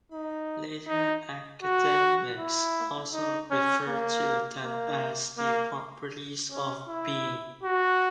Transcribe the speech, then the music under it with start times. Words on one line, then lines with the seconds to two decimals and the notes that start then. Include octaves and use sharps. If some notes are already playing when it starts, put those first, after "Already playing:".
Later academics also referred to them as the properties of being.
0.12 D#4
0.88 D#4
1.63 F#4
2.37 E4
3.13 D#4
3.50 C#4
3.88 A#3
4.63 A#3
5.38 A#3
6.51 C#4
6.88 E4
7.63 F#4